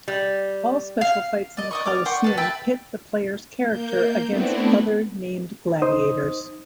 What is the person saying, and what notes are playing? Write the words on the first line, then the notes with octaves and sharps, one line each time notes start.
All special fights in the Colosseum pit the player's character against other named gladiators.
G3
F5
D5 D#5
D5 D#5 C#6
D5 D6 F6
F#5 G5 C6 C#6
B4 A5
E5 G5 A5 B5
A#3 G6
A3 B3 C4 D4 E4
D#4 C5 D#6